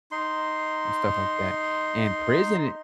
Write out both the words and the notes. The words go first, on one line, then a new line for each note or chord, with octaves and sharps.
And stuff like that and prison i
D#4 C6